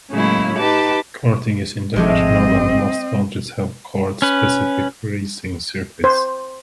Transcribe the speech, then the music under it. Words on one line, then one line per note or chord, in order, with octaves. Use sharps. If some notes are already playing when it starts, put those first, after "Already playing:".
Karting is international and most countries have kart specific racing circuits.
A2 C#3 F#3 G#3 A#3 E4
D#4 G4 B4 A5 D6
G#1 C3 F3 G#3 A3 C4 D#5
C#4 B4
C5